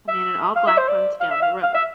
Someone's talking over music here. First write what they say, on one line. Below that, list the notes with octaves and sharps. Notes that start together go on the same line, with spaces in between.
A man in all black runs down the road.
E5
F5
E5
C5
D5
F5
E5
F5
F5
E5